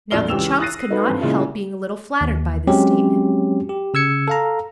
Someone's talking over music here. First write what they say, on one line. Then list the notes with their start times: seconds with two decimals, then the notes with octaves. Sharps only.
Now, the chums could not help being a little flattered by this statement.
0.11 A#1 F2 F4 D5 F6 G7
0.29 C#2 E3 G4 E6 E7 F7
0.59 D#6 F#6 A6 A#6 C7 D#7
0.90 D#4 F#4 A4 B4
1.07 G2 C4
1.21 A#2 C#3 G#3 E4 F4
2.21 D#2
2.67 F#3 G#3 C4 C#4 G4 C5
3.69 G4
3.94 C#3 E6 G#6 C#7
4.28 A4 F5 A#5